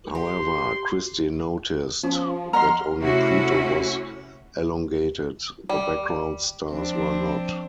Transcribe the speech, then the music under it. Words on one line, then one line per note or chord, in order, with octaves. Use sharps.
However, Christy noticed that only Pluto was elongated-the background stars were not.
G4 C6
F3 C#4
D#5 F#5 A#5 C6 F6
C3 A3 C#4 E4 F#4
G3
F3 C4 D4